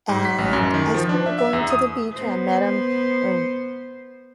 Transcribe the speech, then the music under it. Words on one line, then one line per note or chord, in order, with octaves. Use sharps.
and I started going to the beach and I met him, and,
G#2
B6
A1
F#2
D#3
F3
D4
E5
E5
E2
D#6
B3 C5